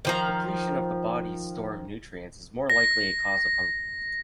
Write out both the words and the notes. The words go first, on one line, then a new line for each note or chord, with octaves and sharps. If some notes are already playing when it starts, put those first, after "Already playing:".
Depletion of the body's store of nutrients is a more likely cause of hunger.
D#3 F3 A#5
A#6